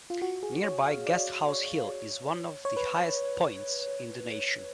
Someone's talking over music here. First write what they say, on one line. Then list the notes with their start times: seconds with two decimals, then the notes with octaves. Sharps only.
Nearby Guesthouse Hill is one of the highest points in the nation.
0.10 F4
0.22 F#4
0.43 G#4
0.64 C#5
0.86 F5
1.06 D5
1.49 C#5
2.65 C#5
2.77 B4